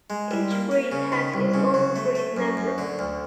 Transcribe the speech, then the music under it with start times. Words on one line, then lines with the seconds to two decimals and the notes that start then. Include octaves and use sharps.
Each breed has its own breed number.
0.10 G#3
0.31 G3
0.51 A#3
0.71 A#3
0.92 C#3
1.12 D#3
1.34 C2
1.54 C#3
1.74 F#3
1.96 A3
2.15 A3
2.37 F#2
2.57 F#2
2.78 D3
2.99 D2